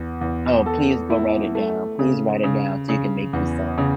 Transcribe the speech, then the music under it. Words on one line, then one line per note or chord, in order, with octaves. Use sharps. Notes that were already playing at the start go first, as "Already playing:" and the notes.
Oh, please go write it down. Please write it down so you can make you some.
Already playing: E2
E2
A4
E4
A3
C#3
C#3
C#3
E2
C#3